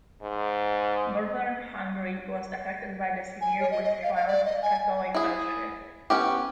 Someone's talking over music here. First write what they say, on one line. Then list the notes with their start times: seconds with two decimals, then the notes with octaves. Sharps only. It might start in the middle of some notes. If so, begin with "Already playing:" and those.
Northern Hungary was affected by the severe witch trials of Catholic Austria.
0.22 G#2
3.41 G#5
3.60 C#5
3.71 D#5
3.84 D#5
4.03 F5
4.15 F5
4.27 D5
4.45 D#5
4.62 G#5
5.15 E4 G#4
6.10 B3 C#4 G4